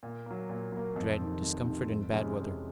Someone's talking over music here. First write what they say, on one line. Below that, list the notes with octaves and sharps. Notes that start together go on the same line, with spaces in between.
I dread discomfort and bad weather.
A#2
F#3 A#3
A#2
F#3 A#3
F2
C3 D#3
F2
C3 D#3
F2
C3 E3 G#3 C#4
F2